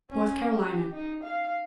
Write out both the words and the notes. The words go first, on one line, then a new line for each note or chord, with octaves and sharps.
North Carolina.
C#4
G4
D#4
F5